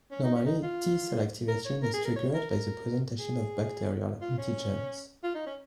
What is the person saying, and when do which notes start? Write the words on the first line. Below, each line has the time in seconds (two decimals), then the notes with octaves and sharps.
Normally, T cell activation is triggered by the presentation of bacterial antigens.
0.11 C#4
0.23 D#4
0.35 C#4
0.46 D#4
0.63 F4
1.48 A#4
1.65 C#5
1.82 A#4
1.94 G#4
2.05 A#4
2.16 C#5
2.34 A#4
2.51 A#4
3.19 G#4
4.21 F4
4.38 C#4
5.23 F4
5.35 D#4
5.46 C#4